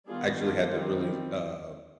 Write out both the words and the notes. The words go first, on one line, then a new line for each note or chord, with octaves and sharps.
I actually had to really, um,
D#3 G3 B3 D4 F4 G#4
D4 F4
D#3 G3 C4